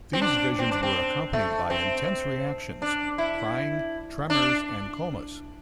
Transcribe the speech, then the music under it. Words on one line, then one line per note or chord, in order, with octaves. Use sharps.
These visions were accompanied by intense reactions: crying, tremors, and comas.
C4
D4
C4
D4
C4
A3
C4
D4
E4
D4